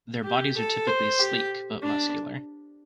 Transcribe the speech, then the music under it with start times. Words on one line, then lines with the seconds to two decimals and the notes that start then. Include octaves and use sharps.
Their bodies are typically "sleek" but muscular.
0.24 G4
0.56 A4
0.87 C5
1.19 G4
1.82 D4